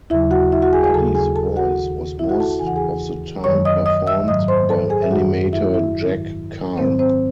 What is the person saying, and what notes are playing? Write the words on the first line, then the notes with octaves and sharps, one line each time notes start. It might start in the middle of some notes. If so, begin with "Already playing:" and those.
Buddy's voice was most of the time performed by animator Jack Carr.
D#2 C#3 F#3 E4 E5
F#4 F#5
E4 E5
F#4 F#5
G#4 G#5
G#4 G#5
D#2 C#3 F#3 A4 A5
G#4 G#5
A4 A5
F#4 F#5
D#2 D#3 F#3
E4 E5
F#4 F#5
A4 A5
A5
E2 C#3 E3 G#5
F#5
G#4 G#5
F#2 D#3 F#3 C#5 C#6
D#5 D#6
D#5 D#6
E5 E6
G#2 D#3 F#3 D#5 D#6
C5 C6
A4 A5
G#4 G#5
E5
F#2 D#3 F#3 F#4 F#5
E4 E5
E4 E5
G#2 D#3 F#3
G#2 D#3 F#3 C4 C5
C4 C5